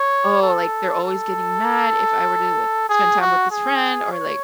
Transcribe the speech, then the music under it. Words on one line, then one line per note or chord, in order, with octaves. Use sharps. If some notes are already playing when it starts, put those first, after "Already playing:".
"Oh, like they're always getting mad if I were to spend time with this friend," or like,
Already playing: C#5
A4
A4
G#4
F#4
G#4
C#5